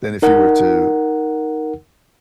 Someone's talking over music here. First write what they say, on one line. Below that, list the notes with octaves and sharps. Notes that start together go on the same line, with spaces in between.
than if you were to
D#4 A#4 F#5